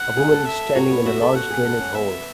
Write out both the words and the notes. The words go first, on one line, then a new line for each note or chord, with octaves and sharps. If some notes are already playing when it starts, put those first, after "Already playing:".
A woman is standing in a large drainage hole.
Already playing: F#5
G#4
A4
E5
F#4 C#5
B3
F#4 E5
A4
F#4 F#5
G#4
A4
C#4
B3 E5